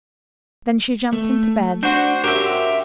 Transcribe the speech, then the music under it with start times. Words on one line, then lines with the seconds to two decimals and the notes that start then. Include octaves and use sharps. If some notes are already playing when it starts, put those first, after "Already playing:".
Then she jumped into bed.
1.13 A3
1.83 D4 F#4 C5
2.24 F#4 G4 A#4 E5